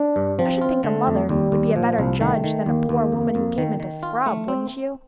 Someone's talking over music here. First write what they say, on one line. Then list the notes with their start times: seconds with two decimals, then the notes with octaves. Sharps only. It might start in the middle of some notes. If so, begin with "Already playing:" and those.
I should think a mother would be a better judge than a poor woman who came in to scrub, wouldn't you?
Already playing: D4
0.16 G2
0.39 F3 C4
0.61 F4
0.84 D3 A3
1.07 F2
1.29 D#2 G3
1.52 D#2
1.75 A#2 F3
1.98 C2
2.21 D#3 A3
2.44 D#3
2.66 D#2 A#3
2.89 D#2
3.12 F2
3.35 F2
3.58 D#3
3.80 D#3
4.03 F4
4.26 A3
4.48 C4